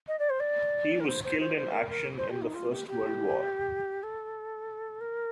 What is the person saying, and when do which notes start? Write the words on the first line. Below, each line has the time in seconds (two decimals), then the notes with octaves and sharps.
He was killed in action in the First World War.
0.08 D#5
0.19 D5
0.30 C5
0.40 D5
1.00 A#4
1.07 C5
1.24 C5
1.40 C5
1.57 C5
1.72 A#4
1.89 A#4
2.18 C5
2.30 G4
2.42 D#4
2.54 F4
2.72 G4
2.88 G4
4.03 A4
5.00 A#4